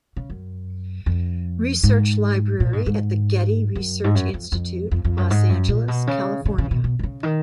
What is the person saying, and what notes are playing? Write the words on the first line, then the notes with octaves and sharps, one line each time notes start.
Research Library at the Getty Research Institute, Los Angeles, California.
C#3
F#2
F2
G#2
A#2
G#2
G#2
F#2
G#2
F#2
F2
F2
F2
F2
F#2
G#2
F#2
A#2
B2
C#3
C#3
C#3
B2
B2
D#3
C#3
D#3